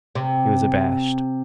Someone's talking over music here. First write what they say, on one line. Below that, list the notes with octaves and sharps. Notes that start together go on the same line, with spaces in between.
He was abashed.
C3